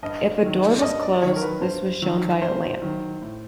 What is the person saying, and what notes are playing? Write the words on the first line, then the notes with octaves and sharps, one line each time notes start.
If a door was closed, this was shown by a lamp.
G2 D#5
D#3 F#3
D5
G2 D#5
D5
D5
D#3 F#3 C#5
A#4
B4
G2 C5
D#3 F#3
G2 C5
D#3 F#3
A2